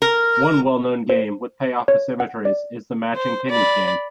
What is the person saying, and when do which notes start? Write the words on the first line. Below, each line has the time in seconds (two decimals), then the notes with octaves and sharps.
One well-known game with payoff asymmetries is the matching pennies game.
0.02 A#4
1.09 C5
1.88 C#5
2.20 F#5
2.45 D5
3.16 C5
3.49 D5 B5